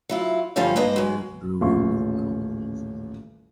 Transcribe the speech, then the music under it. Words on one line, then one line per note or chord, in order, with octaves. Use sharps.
Pioneer Brewing Co.
F#3 E4 F4
D3 F3 G3 C#4 F4 C5
A#3 B4 C5 D#5
F#3 G#3
D#1 A1 C#3 F5 C6 C#6